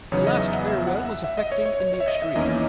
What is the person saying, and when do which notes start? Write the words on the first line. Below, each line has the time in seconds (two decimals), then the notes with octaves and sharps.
The last farewell was affecting in the extreme.
0.12 E2 C#3 F#3 B3 D#4 C#5
0.27 D#5
0.40 E5
0.54 F#5
0.67 E5
0.87 F#5
1.05 E5
1.24 E5
1.37 D#5
1.52 C#5
1.66 C#5
1.80 C#5
1.94 C#5
2.00 E5
2.08 D#5
2.22 E5
2.35 E2 D#3 A#3 C#4 E4 D#5